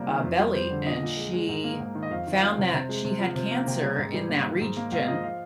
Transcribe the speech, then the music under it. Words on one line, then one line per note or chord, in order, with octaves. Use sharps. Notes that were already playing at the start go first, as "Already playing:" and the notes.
uh, belly, and she found that she had cancer in that region,
Already playing: C3 F3 G3 A#3 D5
D#3
F2
G3
F2 C5
D3
A#2 D#5
A#2
G#3
G#3
G#2
A#3
G#2
D#3
D#5
F2 F5
D#3
F5
G3 G5
C3
C3
G#3
C3
F3
C3
A#3
C3 G5
G3
G#2
G3
A#3
D#3
G#2
A#3
G#2 F5
F3 D#5
F5